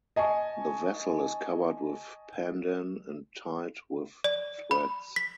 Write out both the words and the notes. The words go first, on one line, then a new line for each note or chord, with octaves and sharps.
The vessel is covered with pandan and tied with threads.
D#5 G#5 A5 C#6
D5
B5
B6